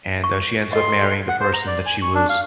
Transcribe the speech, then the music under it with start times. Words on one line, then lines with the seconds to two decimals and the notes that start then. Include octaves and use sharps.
and, uh, she ends up marrying the person that she was
0.24 C#6
0.73 A4 D#5 C6
1.29 F#5
1.41 C5
1.53 A#5
1.67 D5
1.86 G#5
2.02 C#6
2.15 D4
2.29 F5